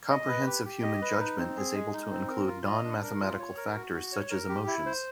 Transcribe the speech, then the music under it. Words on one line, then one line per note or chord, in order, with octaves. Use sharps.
Comprehensive human judgment is able to include non-mathematical factors such as emotions.
D#5
B4
G4
G4
D#5
B4
D#4
C4
G#4
G#3
D#4
C4
A#4
F4
D#5
D4
A#4
F4
C#5
A#4
F#4
F#4
C#5
A#4
G4
E4
C5